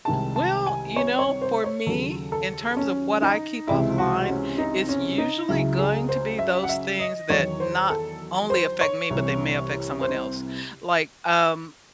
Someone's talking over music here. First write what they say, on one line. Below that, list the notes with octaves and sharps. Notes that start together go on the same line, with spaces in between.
Well, you know, for me, in terms of what I keep offline, it's usually going to be those things that not only affect me, but they may affect someone else. Like, um,
C2 C3 D#3 G#3 A5
A5
G#5
C#5
C#5
C5
C#5
D#2 C#3 F#3 A4
A4
C#4
D#4
C#2 C3 E3 G#3 E4
F#4
C#4
D#4
C#4
D#4
C#2 C#3 F#3 E4
G#4
C5
E5
F#5
E5
D#5
E2 D#3 F#3 C#5
C5
A4
C5
C#5
C2 C3 E3
C5